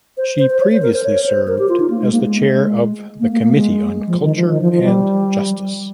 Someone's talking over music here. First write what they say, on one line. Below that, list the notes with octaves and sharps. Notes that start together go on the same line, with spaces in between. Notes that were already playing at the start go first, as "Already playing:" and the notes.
She previously served as the chair of the Committee on Culture and Justice.
C5
C5
C5
C#5
C5
A#4
C5
C#5
C5
A#4
G4
F4
D#4
A#3
G#3
A#3
G#3
A#3
A#3
A#3
G#3
F3
D#3
F3
D#3
F3
F3
G3